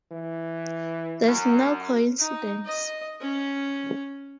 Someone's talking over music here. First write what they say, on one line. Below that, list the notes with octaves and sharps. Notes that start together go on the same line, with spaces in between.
That's no coincidence.
E3
F#2
D#4
D#5
C#4